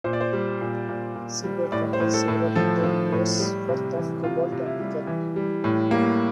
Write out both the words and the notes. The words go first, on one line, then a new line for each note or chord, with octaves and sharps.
Seabed contains "several hundred years' worth of cobalt and nickel".
A#2 C5
D5
C5
G3
A#2
A#2
A#2
G3
A2 D5
C5
A2
A4
A2
F3 A4
F3
A2
G3
C3
E3
C3 F4
C3
E4
G3
E3
G3
A2
G3 A#3